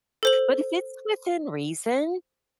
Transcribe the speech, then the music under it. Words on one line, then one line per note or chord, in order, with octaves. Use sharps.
But if it's within reason,
A4 C5 F#7